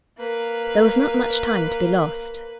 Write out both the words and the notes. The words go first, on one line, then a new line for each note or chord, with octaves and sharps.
There was not much time to be lost.
A#3 B4